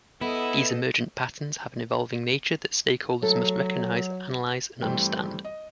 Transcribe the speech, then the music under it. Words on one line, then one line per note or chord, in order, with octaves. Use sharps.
These emergent patterns have an evolving nature that stakeholders must recognize, analyze and understand.
B3 E4 A4 D#5
F#3 A3 A4
G2 E3 G3 A3 C4 G5
D#5